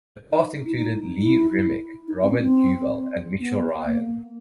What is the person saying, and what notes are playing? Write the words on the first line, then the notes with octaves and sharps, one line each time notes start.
The cast included Lee Remick, Robert Duvall and Mitchell Ryan.
D#4
E4
D#4
E4
D#4
C4
C#4
C4
B3
A#3